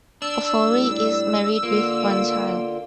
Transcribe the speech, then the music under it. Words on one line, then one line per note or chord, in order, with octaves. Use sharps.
Ofori is married with one child.
D4 E6
A2 G3
D3 A#3 F4